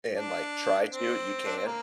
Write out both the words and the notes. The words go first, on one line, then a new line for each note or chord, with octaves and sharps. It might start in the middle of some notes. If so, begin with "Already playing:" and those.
and, like, try to, you can,
D4
C4
D4
C4
A#3